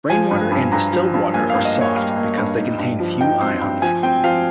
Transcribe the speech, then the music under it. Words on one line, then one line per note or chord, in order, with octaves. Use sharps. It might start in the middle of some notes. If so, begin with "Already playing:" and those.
Rainwater and distilled water are soft, because they contain few ions.
F3 G#5
G2
G2
G2 A#5
F3
G2
A#3 G#5
F5
G2
D#5
A#3
C#5
G3 F5
A#3
G2
D#4
G2
F3
D#4 G5
C4
G2
F3 G#5
C4 G5
F3 F5